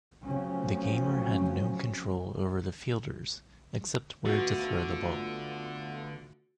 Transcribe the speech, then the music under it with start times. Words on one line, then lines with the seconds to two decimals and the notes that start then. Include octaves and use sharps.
The gamer had no control over the fielders, except where to throw the ball.
0.24 C#3 F3 F#3 A3 C4 C#4
4.25 D3 A3 B3 F4 F#4